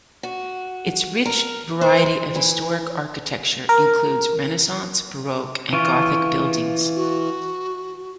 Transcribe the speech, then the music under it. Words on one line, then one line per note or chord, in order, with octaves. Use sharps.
Its rich variety of historic architecture includes Renaissance, Baroque and Gothic buildings.
F#4
A#4
C5
E3
A#4
E3 F4 C#6
F#4